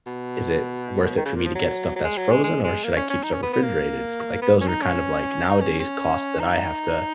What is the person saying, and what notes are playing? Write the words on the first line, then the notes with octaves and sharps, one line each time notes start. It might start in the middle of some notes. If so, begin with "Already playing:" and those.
is it worth it for me to get stuff that's frozen, or should I keep stuff refrigerated? Like, those are kind of, like, nowadays costs that I have to,
B2
D#3
C#3
A#2
F3
F#3
F#3
G#3
F#3
G#3
G#3
G#3
A#3
C#4
C#4
D#4
C#4
B3
B3
A#3
B3
C#4
D#4
C#4
D#4
C#4
C#4
D#4